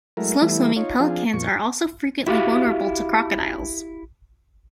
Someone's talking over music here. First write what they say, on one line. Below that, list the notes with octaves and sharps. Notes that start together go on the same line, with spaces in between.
Slow-swimming pelicans are also frequently vulnerable to crocodiles.
F#3 G#3 A3 E4 A#4
E3 G3 A3 B3 E4
D#4 F4 C#5
F3 C4 D4 F4 G#4
F2 A#2 C#6
E4 F#4 G4 F5